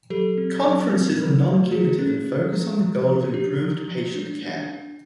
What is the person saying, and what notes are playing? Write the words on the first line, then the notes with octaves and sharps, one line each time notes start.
Conferences are non-punitive and focus on the goal of improved patient care.
F#3 G4 A4
C4
F#3
C4
F#3
A3
F3 F#4 G#4
C#4
C#4
F3
F3
F3
D4 G4
F3
F3
D4
D4
D4